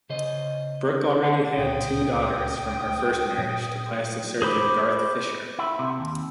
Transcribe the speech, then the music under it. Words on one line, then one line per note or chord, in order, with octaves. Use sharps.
Brooke already had two daughters from her first marriage to plastic surgeon Garth Fisher.
C#3 C5 D#5
D3
D1 C#2 A#2 G5 D#6
A#2 F#3
G#4 C5 B5 D6
E4
C3
D#2